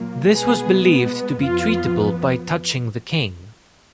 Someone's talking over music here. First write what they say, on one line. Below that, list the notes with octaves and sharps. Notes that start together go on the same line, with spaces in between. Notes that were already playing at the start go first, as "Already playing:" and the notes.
This was believed to be treatable by touching the King.
Already playing: A#2 F#3 A#3
B2 G#3 B3 G#4
F2 F3 B3 F4